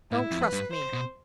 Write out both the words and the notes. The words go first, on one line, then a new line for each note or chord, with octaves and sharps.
"Don't trust me!"
A2 E4
F2
B4
G2
C5
B2